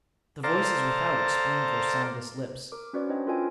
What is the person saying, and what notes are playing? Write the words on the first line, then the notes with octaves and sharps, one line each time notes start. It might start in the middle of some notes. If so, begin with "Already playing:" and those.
The voices without explained their soundless lips.
A4 C5 D5 F5 A#5
A#4 D6
C#4 F#4 B4 C5 D5
C#4 D4 B4 C5 D#5 G5
F4 A4 A#4 D#5 G5 G#5